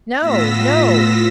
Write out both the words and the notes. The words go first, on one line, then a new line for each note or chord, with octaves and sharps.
"No, no!"
A2 B3 F4 E6 A#6 B6